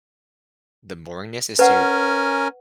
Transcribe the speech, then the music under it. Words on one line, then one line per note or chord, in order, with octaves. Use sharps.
the boringness is to
C#4 A#4 B4 F#5 G#5